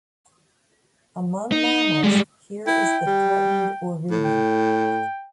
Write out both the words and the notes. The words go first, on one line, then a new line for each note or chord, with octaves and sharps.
Among mammals here is the threatened oribi.
D#4
G3 G#3
E4 G5
G3
A2
G5